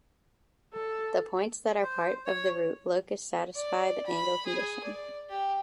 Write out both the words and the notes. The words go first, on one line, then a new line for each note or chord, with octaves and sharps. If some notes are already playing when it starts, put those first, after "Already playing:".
The points that are part of the root locus satisfy the angle condition.
A4
C5
C#5
D5
B5
G#4
D5
G4